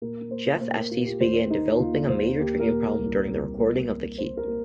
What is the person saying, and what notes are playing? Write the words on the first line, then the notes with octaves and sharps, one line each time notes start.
Jeff Estes began developing a major drinking problem during the recording of "The Key".
A#2 A#4
A#3 C5
A#2 C5
A#4
A#2 F4
G4
D#2 C5
A#3 D#4
D#2 F4
D#2 C5
A#3 G4
A#4
A#2
C2
C2
A#3
A#3
A#3 C5
A#4
A#3